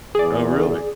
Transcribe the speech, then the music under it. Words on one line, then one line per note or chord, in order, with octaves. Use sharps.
Oh, really?
E2 G#4 D5